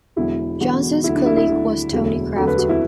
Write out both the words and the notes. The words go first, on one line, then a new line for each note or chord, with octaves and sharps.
Johnson's colleague was Tony Crafter.
E1 E2 D3 F#3 E4
E1 E2 D3 F#3 F#4
D2 D3 F#3 E4
D4
E4
E4
D2 D3 F#3
E1 D2 D3 F#3
E1 D2 D3 F#3 A4
B4
F#4
E4